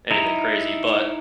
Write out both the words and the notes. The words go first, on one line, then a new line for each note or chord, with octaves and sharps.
anything crazy, but,
D#4 E4 A#5